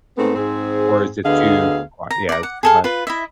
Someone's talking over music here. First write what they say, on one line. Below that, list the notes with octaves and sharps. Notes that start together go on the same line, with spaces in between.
Or is it too qu yeah. It's too much.
G#2 A3 B3 C4
G#2 C4 G#4
D2 D3 B3 G#4 D#5 F5
A#5
D5 A#5
F#5
G#4 A4 F5
F4 B4
E4 D#5 E5